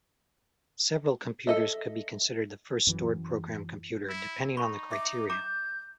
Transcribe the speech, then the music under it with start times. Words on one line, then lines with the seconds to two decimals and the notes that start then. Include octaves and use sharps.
Several computers could be considered the first stored-program computer, depending on the criteria.
1.47 A4 D#5 E5
2.87 F#2 E3 F#3
4.09 E4
4.57 D#4 B5 C#6
4.91 E5 D6
5.30 A#5 D6 G6